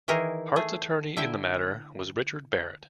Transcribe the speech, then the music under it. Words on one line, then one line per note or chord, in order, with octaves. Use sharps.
Hart's attorney in the matter was Richard Barrett.
D#3 E3 D#4 E4 G#4 A#4
A3 G#4
D3 E4 E5 G5